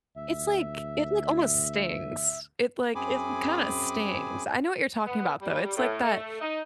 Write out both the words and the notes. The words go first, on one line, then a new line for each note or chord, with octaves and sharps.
It's like it, like, almost stings, it, like it kinda stings. I know what you're talking about, though, it's like that
D2 E5
F#2 C4 G#4 G#5 B5 D6
B3
G3
A2
A3
D#4